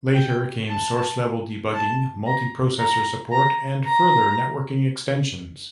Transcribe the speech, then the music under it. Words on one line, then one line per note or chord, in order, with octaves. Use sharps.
Later came source-level debugging, multi-processor support and further networking extensions.
G5
A5
A5
A#5
A#5
A#5
A#5